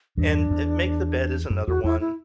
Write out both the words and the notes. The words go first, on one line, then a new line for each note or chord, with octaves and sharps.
And, eh, make the bed is another one,
E2 G2 D4
E2
F#2
E2 F#4
E2 E4
E4